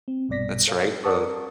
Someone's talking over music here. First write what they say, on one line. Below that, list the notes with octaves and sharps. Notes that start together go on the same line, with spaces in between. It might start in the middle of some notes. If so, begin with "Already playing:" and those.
That's right, of
C4
A#1 G2 B2 D5 A#6 B6
A4 C#5 F5
A#4 D5 F#5 A5 C#6